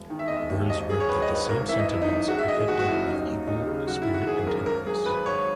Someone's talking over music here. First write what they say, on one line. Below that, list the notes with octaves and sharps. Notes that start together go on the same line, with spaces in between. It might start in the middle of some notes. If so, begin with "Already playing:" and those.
Burns wrote that "The same sentiments are kept up with equal spirit and tenderness".
Already playing: E1
D#3
E5
E1 D#5
E5
D#2
G#1 D#5
F#3 G#4
C#5
G#1 B4
D#5
G#2
B4
G#1 A#4
E3 E5
D#5
G#1 E4
D#4
F#2
G#3 F#4
E5
D#3 D#5
G#4
F#1 F#4
F#4
F#2 E4
D#2 D#4
F#3
D#2 D#4
C#3
F#3 F#4
E4
D#3
F#4
G#1 G#4
G#4
F#2 A#4
G#1 A#4
F#3 G#4
G#1 B4
G#2 C#5